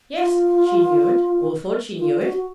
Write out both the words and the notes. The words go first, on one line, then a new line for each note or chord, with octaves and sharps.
Yes, she knew it, or thought she knew it.
F4
F4
F#4
F#4